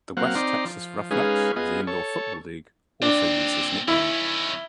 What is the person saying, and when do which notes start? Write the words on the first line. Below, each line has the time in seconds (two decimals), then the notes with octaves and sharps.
The West Texas Roughnecks of the Indoor Football League also use this nickname.
0.17 F#3 A#3 C4 F5 F#5
0.35 C4 D#4 D5 A#5 C6
0.65 F3
1.11 G#3 C#4 D#4 G#4 B4 F5
1.56 B3 F4 G#4 D#5
1.87 A4 C#5
3.02 A#2 C4 D4
3.88 D#3 C#4 E4